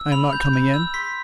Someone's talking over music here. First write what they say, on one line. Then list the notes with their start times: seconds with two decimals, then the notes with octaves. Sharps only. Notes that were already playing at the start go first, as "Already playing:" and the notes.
I am not coming in.
Already playing: E6
0.12 B5 F7
0.33 G6
0.53 B5
0.74 E6
0.94 C6 B6